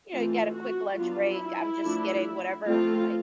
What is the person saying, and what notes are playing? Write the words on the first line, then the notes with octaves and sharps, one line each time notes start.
you know, you got a quick lunch break, I'm just getting whatever, like,
E3 A3 C4 F4
F#4
F#3 B3 D4 F4
E4
F3 A3 D4
F3 A3 C4 F4